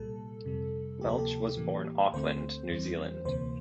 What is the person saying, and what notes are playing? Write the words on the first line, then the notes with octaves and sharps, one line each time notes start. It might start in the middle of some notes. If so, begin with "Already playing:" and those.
Welch was born Auckland, New Zealand.
Already playing: C2 A#2 G3 A4
F2 C3 G3
D2 C3 F3 A#3 G4
A4
G4
A2 E3 A#3
D2 D3 A3 C4 C5
E2 E3 G3 C4
D2 C3 E3 A#3 C5